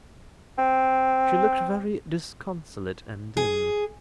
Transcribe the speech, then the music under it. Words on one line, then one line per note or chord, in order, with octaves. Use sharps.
She looked very disconsolate and dim.
C4
G#4